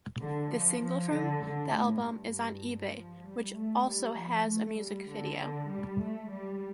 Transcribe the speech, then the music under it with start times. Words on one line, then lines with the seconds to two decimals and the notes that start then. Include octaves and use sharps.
The single from the album is "On eBay", which also has a music video.
0.20 D3
0.51 F3
0.82 F3
1.12 D3
1.43 D3
1.73 A2
2.03 G2
2.95 F3
3.26 G3
3.55 A3
3.86 G3
4.17 F3
4.48 A3
4.78 G3
5.08 D3
5.39 D3
5.69 G3
6.00 A3
6.30 G3